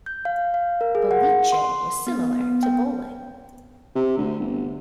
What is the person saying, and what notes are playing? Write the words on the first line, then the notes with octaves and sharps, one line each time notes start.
"Boliche" was similar to bowling.
G6
F5
F5
A#4
G#4
F#5
C6
B3
B3
G5
C3
D2
G1